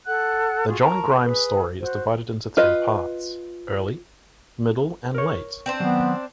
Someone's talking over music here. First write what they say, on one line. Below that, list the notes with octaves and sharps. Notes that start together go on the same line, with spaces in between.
The John Grimes story is divided into three parts - Early, Middle and Late.
A4 F#5 F#6
F4 F#4 G#4
A#4 A5 A#5 C#6
G#4 B4
F#4 C5
F4 B4 D#5
A#4 C#5
C4 D4 C5
D#3 F#3 B3